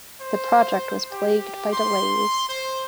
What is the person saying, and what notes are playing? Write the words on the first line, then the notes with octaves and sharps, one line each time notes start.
The project was plagued by delays.
C5
G4
C6
C5